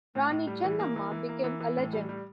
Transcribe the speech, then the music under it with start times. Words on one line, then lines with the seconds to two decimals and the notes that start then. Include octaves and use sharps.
Rani Chennamma became a legend.
0.15 A2
0.31 A2
0.47 G3
0.64 E3
0.80 A#3
0.96 E3
1.12 E3
1.29 A#3
1.44 E3
1.60 E3
1.77 A2
1.93 G3
2.09 G3